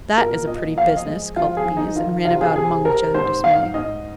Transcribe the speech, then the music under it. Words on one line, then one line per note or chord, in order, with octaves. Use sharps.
"That is a pretty business!" called the Bees, and ran about among each other in dismay.
A#2 A#4
A#2 D#5
F3 F5
D#5
G#3
F3 F4
G#4
F3
D#4
D#3 F4
C3 F4
G#4
C3 G#4
C3 A#4
G#2 C5
G#2 F5
G#2 D#5